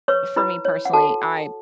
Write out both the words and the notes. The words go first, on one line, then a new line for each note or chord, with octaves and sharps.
for me personally, I,
B4 C#5 C#6
E4 B4 B5
C#5
F#5
F#4 A4 A5